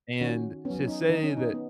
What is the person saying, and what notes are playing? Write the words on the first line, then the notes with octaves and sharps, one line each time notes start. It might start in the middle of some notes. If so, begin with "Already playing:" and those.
and to say that
D#3 C#4 F#4
F#3 B3 C#4
C#4
D#4
D#3 D#4
C#4
D#4
B3